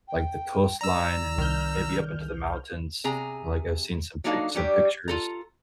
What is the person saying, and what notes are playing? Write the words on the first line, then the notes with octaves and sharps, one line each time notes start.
like, the coastline and then maybe up into the mountains, like, I've seen some pic some pictures.
G5
D5 A#5 E6
C2 D#3 F6 G6
C3 G#4 A#5
F#3 A#3 D4 D#4 A4 F5
F#3 G3 G4
F4 A4 A#5